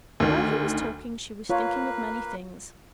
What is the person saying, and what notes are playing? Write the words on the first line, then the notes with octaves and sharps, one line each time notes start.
While he was talking, she was thinking of many things.
D2 D#3
A#3 F4 B4 C#5